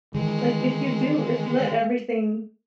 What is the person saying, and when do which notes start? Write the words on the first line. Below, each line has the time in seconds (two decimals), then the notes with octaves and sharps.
like if you do if you let everything
0.14 D#3 E3 G#3